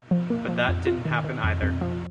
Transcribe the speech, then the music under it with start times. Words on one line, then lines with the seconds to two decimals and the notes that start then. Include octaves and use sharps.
But that didn't happen either.
0.11 F3
0.30 A#3
0.48 F3
0.68 F2
0.87 F4
1.05 D#3
1.24 D#3
1.44 F2
1.62 F2
1.81 F3